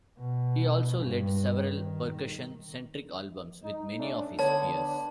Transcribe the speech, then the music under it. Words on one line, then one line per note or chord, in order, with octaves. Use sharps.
He also led several percussion-centric albums with many of his peers.
B2
G2
D#3
D#4
A3 C#4 D4
D3 B3 C#5 A5
D4